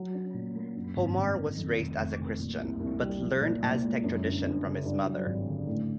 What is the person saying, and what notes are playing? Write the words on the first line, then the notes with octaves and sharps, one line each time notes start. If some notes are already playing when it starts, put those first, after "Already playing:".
Pomar was raised as a Christian but learned Aztec tradition from his mother.
Already playing: F#3
C#4
A#2
A#3
F#2
G#1
G#1
D#3
F2
F1
F1
C3
A#2
C2
C2
G3
F3
A#2
A#2
G#3
F#2
G1
G1
C#3
G2
F#3
G#1
D3
A2